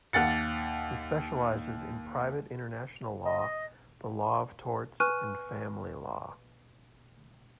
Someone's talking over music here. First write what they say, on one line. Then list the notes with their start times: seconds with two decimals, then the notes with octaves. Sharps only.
He specialises in private international law, the law of torts and family law.
0.13 D#2 F#5 A6 C#7
3.25 D#5
5.00 B4 G#5 C#6 F6 F#6 D#7